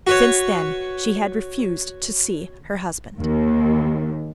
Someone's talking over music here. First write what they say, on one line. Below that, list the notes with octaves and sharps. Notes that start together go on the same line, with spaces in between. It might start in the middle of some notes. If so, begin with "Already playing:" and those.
Since then she had refused to see her husband.
F#4 B4 C#5
D#2